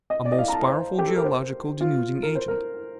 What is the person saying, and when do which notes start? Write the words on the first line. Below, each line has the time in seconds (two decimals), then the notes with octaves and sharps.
A most powerful geological denuding agent.
0.10 D#5
0.25 D5
0.32 D#5
0.39 F5
0.48 A#5
0.53 A5
0.67 C5
0.98 G4
1.07 A4
1.16 A#4
1.24 C5
1.81 F4
2.23 A#4
2.35 C5
2.48 A#4